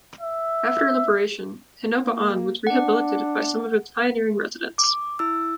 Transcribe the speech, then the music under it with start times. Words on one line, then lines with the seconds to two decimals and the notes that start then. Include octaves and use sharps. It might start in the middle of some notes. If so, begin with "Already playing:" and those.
After Liberation, Hinoba-an was rehabilitated by some of its pioneering residents.
0.21 E5
1.97 A#3
2.67 D4 F#5
4.78 D6
5.19 E4 E6